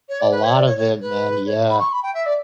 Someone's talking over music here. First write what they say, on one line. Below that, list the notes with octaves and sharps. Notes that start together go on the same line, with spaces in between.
A lot of it, man, yeah.
C#5
D5
B4
C#5
D5
C#5
C#5
B4
C#5
B5
C#6
B5
G5
E5
D5